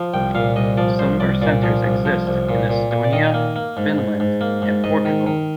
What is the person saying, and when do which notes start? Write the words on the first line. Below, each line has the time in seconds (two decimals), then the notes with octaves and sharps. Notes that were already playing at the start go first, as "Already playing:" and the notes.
Similar centers exist in Estonia, Finland, and Portugal.
Already playing: F3
0.14 C2 G5
0.35 A#2 F5
0.56 C2 D#5
0.77 F3 D5
0.99 C2 C5
1.20 C2 D5
1.42 A#2 D5
1.63 F3
1.85 C2
2.05 F3
2.27 C2
2.49 A#2
2.70 A#2
2.91 A#2
3.04 D5
3.13 D#3 D#5
3.34 A#3
3.56 A#3
3.77 G#2
3.98 G#2
4.20 G#2
4.41 A#3
4.62 G#2
4.84 G#2 D#5
5.05 D#3
5.26 D#3